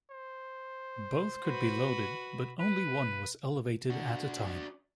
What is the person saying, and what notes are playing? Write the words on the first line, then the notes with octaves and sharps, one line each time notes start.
Both could be loaded, but only one was elevated at a time.
C5
F#4 B4
B4
D4 F#4